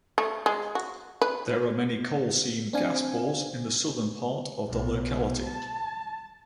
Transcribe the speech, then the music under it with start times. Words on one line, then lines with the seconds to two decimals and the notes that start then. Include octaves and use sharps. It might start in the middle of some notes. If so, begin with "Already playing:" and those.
There are many coal seam gas bores in the southern part of the locality.
0.18 A3
0.46 G#3
0.75 F#4
1.22 B4
2.73 C4 D4 F5 G#5
4.68 B1
5.46 A5